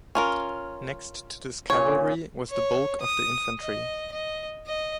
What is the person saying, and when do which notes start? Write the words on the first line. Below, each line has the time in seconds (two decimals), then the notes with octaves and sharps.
Next to this cavalry was the bulk of the infantry.
0.15 C#4 F4 A#4
1.70 A#2 C#3 C#5
2.50 C#5
3.01 D#6
3.60 D#5
4.11 D#5
4.66 D#5